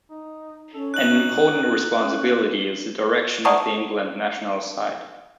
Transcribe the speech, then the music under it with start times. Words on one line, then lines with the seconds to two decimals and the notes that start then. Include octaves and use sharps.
An important responsibility is the direction of the England national side.
0.10 D#4
0.74 C#4 A4
0.94 D#4 F#6 F#7
2.00 A#3 C#4
3.45 D5 F#5 A5 A#5 C#6 D#6